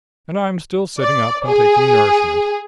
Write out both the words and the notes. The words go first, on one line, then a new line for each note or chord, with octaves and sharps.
And I'm still sitting up and taking nourishment.
D5
G#4